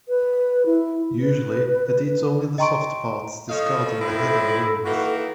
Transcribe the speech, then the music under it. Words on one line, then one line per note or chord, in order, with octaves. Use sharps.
Usually, it eats only the soft parts, discarding the head and wings.
B4
E4
B4
D#5 G5 A#5 C6 C#6 D7
F3 A4 C#5 D#5 F5
D#3 F3 E4 C#5
D#3 E3 A#3 F#4